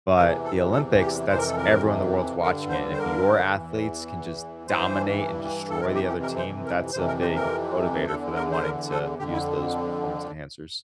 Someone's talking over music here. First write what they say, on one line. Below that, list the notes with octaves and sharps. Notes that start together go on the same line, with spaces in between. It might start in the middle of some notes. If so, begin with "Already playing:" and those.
But the Olympics, that's everyone in the world's watching it, and if your athletes can just dominate and destroy the other team, that's a big motivator for them wanting to use those performance enhancers.
E2 C3 E3 A#4
A4
A4
G4
F2 C3 E3 C5
A#4
A4
A#4
G2 D3 A#4
C5
C5
A#4
E2 E3
G2 E3 C5
A4
F2 C3 E3 A#4
G4
G4
A#4
C5
A#4
F2 C3 E3 C5
A#4
C5
A#4
E2 D3 A4
A#4
C5
A#4
A4
F2 D3 G4
E4